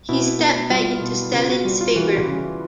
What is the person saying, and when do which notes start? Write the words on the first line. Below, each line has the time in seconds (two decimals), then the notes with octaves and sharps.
He stepped back into Stalin's favor.
0.09 B2 E4
0.39 B3
0.70 G3 F4
1.01 B2
1.33 C#3 F4
1.49 F#4
1.65 G3 F#4
1.81 F4
1.96 E3 F#4
2.27 C#3